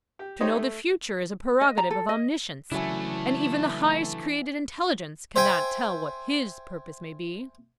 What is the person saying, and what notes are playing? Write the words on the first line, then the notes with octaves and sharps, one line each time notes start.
"To know the future is a prerogative of Omniscience, and even the highest created intelligence cannot tell what His purposes may be."
G4
D#4 G4 C5 C#5 D#5
A3
D#5
A#5
A4
D#5
C#3 E3 F#3 A3 D4 E4 G#5
C5 E5 G5 G#5